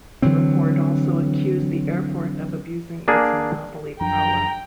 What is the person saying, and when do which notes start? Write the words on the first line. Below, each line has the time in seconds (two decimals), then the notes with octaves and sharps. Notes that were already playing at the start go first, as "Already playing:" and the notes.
The report also accused the airport of abusing its monopoly power.
0.22 D3 E3 F#3 C4
3.08 A#3 D4 G#4
4.01 F#2 F3 D4 G5 A#5